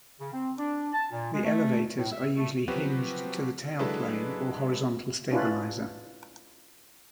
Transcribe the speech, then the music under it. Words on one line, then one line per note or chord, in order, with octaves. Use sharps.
The elevators are usually hinged to the tailplane or horizontal stabilizer.
C#3
C4
D4
A5
A#2
G#3
A3
A2
E5
A3
F3 F#3 C4 F#4 G4 B4
F#3 G#3 D4 E4 A4 B4
C#4 D4 E4 F4 B4